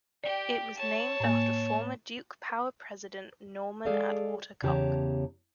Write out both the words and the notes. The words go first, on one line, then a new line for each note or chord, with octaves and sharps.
It was named after former Duke Power president Norman Atwater Cocke.
G4 D5 G5
C#5 A5
A2 A#3
G#3 G#4 A4 D5 F5
E2 C#3 G4 C#5 A5 A#5